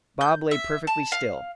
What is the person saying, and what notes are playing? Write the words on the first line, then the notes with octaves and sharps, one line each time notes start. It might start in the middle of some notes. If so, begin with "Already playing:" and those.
Bob lay perfectly still.
G6
E5
A5
F5